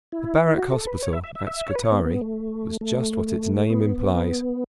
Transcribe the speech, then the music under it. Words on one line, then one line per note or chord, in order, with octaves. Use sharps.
The Barrack Hospital at Scutari was just what its name implies.
E4
F#4
A4
B4
C#5
E5
E5
E5
E5
C#5
B4
C#5
B3
B3
A3
A3
B3